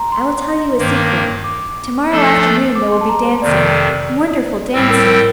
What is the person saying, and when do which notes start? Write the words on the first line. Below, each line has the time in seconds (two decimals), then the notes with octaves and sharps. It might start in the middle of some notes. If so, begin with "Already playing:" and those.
I will tell you a secret. Tomorrow afternoon there will be dancing--wonderful dancing!
Already playing: A#5 C6
0.12 C6
0.78 G2 D#3 A#3
1.44 D6
2.10 F3 A3 D4 A4
2.75 D6
2.92 C6
3.01 A5
3.09 A#5
3.25 C5
3.42 F2 C3 D#3 D5
4.73 A2 G3 C4 C5
4.90 A#4
5.07 A#4